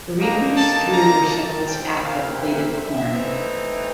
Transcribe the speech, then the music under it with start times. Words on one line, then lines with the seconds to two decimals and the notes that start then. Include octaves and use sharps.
The reapers threw their sickles at the plaited corn.
0.19 D3 G3 A#3 D#4 A#5
0.56 A5
0.93 A#5
1.29 A5
1.66 A#2 G3 C4 E4 G5
2.03 F5
2.40 E5
2.77 E5
3.13 E3 A3 C4 D#4